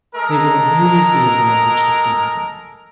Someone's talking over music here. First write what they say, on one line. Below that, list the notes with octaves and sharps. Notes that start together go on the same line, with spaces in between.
They will abuse the advantage it gives them.
G#3 A4 A#4